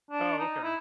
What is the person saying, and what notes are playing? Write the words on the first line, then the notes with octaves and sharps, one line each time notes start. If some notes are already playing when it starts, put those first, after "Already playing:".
Oh, okay.
D4
D#4
E4